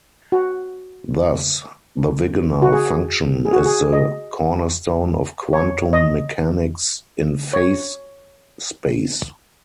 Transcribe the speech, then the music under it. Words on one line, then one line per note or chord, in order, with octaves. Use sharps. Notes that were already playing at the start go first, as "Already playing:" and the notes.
Thus, the Wigner function is the cornerstone of quantum mechanics in phase space.
F#4
F#4
G#4
G#4
F#4
G#4
D#5
C#5
D#5
C#5